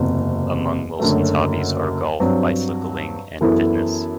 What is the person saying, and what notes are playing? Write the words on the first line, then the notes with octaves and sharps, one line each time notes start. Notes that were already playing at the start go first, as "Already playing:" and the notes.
Among Wilson's hobbies are golf, bicycling, and fitness.
Already playing: F#1 E2 C3
F#1 F#2 D3 F#3 A3
G2 F#3 C4
F#2 E3 B3 E4 A4